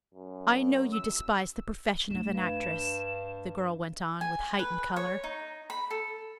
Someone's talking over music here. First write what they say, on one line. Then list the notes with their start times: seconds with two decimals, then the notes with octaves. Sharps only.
"I know you despise the profession of an actress," the girl went on with heightened colour.
0.14 F#2
0.93 E6
2.10 A3 D4 E7
2.31 G2
4.21 G#5
4.59 B4
4.96 C#5
5.24 D#4
5.70 B5
5.90 A4